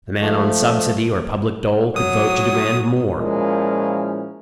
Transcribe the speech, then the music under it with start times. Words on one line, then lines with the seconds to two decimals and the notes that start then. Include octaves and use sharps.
The man on subsidy or public dole could vote to demand more.
0.21 F3 A3
1.96 F#3 D#6
3.18 A#2 F3 G#3 C#4 E4 A#4